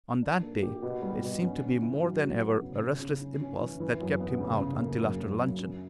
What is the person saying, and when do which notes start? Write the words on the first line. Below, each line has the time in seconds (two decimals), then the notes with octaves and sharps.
On that day it seemed to be more than ever a resistless impulse that kept him out until after luncheon.
0.23 D4
0.43 A#3
0.63 G4
0.82 B2
1.02 G3
1.22 B2
1.42 C#4
1.63 D3
1.82 E4
2.02 F#3
2.22 F#3
2.42 B3
2.62 C#3
2.81 C#3
3.02 C#3
3.22 C#4
3.41 C#4
3.61 E3
3.80 E3
4.00 F#2
4.20 B3
4.40 C#3
4.60 C#3
4.80 A#3
4.99 F#2
5.20 F#2
5.40 F#2
5.59 C#4